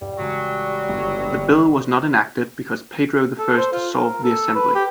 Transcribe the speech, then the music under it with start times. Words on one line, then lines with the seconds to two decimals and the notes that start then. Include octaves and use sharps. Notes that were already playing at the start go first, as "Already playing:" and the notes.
The bill was not enacted because Pedro the First dissolved the Assembly.
0.02 E1 G2 G3
0.18 A1 C#3 F#3 G#3
0.89 G1
3.39 A4
3.57 C5
3.73 F4
3.98 A#4
4.24 A4
4.55 B4
4.75 G4